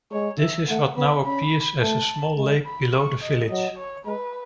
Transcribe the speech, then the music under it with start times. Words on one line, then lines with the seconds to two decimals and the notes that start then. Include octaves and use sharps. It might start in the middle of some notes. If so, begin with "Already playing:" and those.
This is what now appears as a small lake below the village.
0.12 G#3 C#5
0.40 E5
0.69 A3 F#5
0.96 B3 B5
1.25 C#4 B5
1.81 A3 A5
2.37 G#3
2.65 B5
2.94 C#6
3.22 D#5
3.49 F#3 D#5
3.78 C#5
4.06 G#3 B4